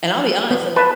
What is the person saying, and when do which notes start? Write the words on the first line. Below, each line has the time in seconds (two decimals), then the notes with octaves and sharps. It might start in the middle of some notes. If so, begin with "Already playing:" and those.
And I'll be honest, a lot
0.51 B3
0.76 B4 A5